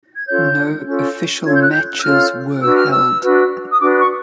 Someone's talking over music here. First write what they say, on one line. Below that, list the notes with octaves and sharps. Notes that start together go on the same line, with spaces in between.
No official matches were held.
G#6
C#4 F4 A4 C#5 G6
C#4 F4 A4 C#5
C#4 F4 A4 C#5 G#6
G6
F#6
G6
E6
C#4 F4 A4 C#5 F6
D4 F#4 B4 E6
F6
E6
D4 F#4 B4
D#6
D4 F#4 B4 D6
C#6